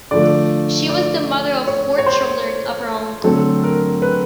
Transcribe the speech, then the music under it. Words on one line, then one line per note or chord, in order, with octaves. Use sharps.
She was the mother of four children of her own.
D3 F3 A3 D5
D5
C#5
C#5
C5
D3 F#3 A3 C4 A4
A#4
B4